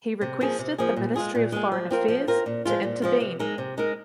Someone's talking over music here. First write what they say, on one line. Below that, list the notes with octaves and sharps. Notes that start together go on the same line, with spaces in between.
He requested the Ministry of Foreign Affairs to intervene.
C3
F3 A#3 G#4
C3
F3 A#3 G#4
A#2
G#3 F4 G#4
A#2
G#3 F4 G#4
F3
C4 F4 A#4
F3
C4 F4 A#4
A#2
F3 G#3 F4
A#2
F3 G#3 F4
C3
G#3 D#4 A#4
C3
G#3 D#4 A#4